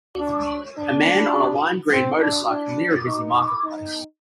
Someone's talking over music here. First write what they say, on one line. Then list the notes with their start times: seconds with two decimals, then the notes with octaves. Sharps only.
A man on a lime green motorcycle, near a busy marketplace.
0.20 D4
0.78 D4
1.93 C4
2.21 D4
2.50 D4
3.07 D#4
3.64 D#4